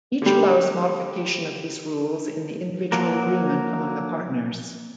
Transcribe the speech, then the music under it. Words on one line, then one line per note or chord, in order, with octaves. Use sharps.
Each allows modification of these rules in the individual agreement among the partners.
D3 G3
F3 F#3 A#3 A#4